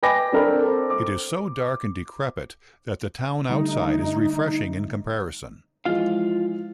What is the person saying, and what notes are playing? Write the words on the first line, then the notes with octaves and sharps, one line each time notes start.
It is so dark and decrepit that the town outside is refreshing in comparison.
B4 G5 G#5 B5 D6 A#6
C4 D4 A4 A#4 G5 B5
A4 C5
D6
D3 G3 A3 D#4
E3 F3 G#3 F4 F5